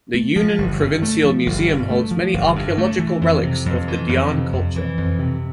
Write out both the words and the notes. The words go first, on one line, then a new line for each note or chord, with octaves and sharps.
The Yunnan Provincial Museum holds many archaeological relics of the Dian culture.
A3
F3
G1
G2
A3
F3
G1
G2
A3
F3
G1
G2
A3
E3
F2
C3
F2
E3
F2
C3
F2
E3
F2
C3